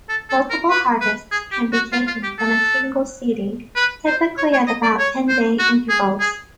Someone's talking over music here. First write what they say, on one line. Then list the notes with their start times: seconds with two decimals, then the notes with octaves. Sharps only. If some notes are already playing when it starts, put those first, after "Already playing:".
Multiple harvests can be taken from a single seeding, typically at about ten-day intervals.
0.09 A4
0.30 A4
0.50 A#4
0.70 B4
1.01 B4
1.31 G#4
1.52 G4
1.73 F#4
1.93 F4
2.07 F4
2.23 G4
2.39 A4
3.76 B4
4.07 C5
4.37 C#5
4.53 C#5
4.67 D#5
4.83 D5
4.98 C#5
5.29 C5
5.59 F#4
5.89 G#4
6.20 G#4